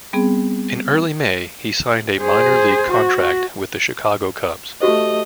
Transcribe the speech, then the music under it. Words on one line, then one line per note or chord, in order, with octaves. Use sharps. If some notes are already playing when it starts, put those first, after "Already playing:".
In early May, he signed a minor league contract with the Chicago Cubs.
G3 B3 C4 G#4
G#4 C5
F#4
A3 F#4 G4 C5 D#5